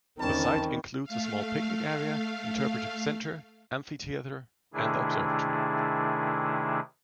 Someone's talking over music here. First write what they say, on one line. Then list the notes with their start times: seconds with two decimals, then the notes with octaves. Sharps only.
The site includes a small picnic area, interpretive center, amphitheater, and the observatory.
0.19 E2 D3 D#3 G3 C4 C#4 A#4 A5
1.05 A3 F5
4.73 C3 D#3 A3 D4 E4 G#4